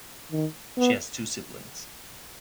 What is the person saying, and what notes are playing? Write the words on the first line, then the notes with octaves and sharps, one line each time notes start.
She has two siblings.
D#3
B3